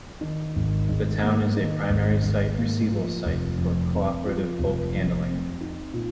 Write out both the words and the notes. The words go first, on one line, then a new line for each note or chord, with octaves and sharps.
The town is a primary site receival site for Cooperative Bulk Handling.
D#3
G#1
G#2
A#3
D#3
G#1
G#2
A#3
F3
F1
F2
C4
F3
F1
F2
C4
D#4
A#2